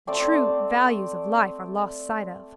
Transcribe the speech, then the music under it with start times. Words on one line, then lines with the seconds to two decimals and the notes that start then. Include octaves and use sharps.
The true values of life are lost sight of.
0.07 A3 C4 C5 D5